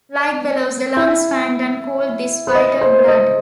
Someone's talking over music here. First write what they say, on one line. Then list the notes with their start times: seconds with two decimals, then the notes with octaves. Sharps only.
Like bellows, the lungs fanned and cooled this vital blood.
0.97 E4
2.47 C5
2.55 D#5
2.81 C5
3.08 D#5